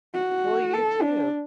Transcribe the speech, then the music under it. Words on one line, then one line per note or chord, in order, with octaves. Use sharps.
Well, you too.
F#4
A4
D4